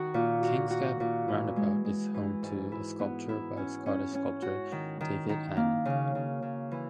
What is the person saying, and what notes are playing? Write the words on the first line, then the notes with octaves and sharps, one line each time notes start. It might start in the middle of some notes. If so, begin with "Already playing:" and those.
Kings Gap roundabout is home to a sculpture by Scottish sculptor David Annand.
Already playing: D#3 F#4
A#2
F#4
F#4
A#2
E3
G#3
G#3
E3
G#2
E4
B3
E4
C#4
C#4
C#4
F#4
D#3
D#3
D#3
A#3
C#3
C#3
C#3
E3